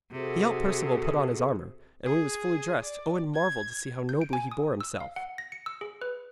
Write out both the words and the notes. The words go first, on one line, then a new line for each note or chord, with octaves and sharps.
He helped Perceval put on his armour, and when he was fully dressed Owen marvelled to see how nobly he bore himself.
C3 F#4 G#4 A4
G#4
D5
G#6
G6
D7
G#5
D#6
E6
F5
F#5
A#6
C#7
E6
G#4
B4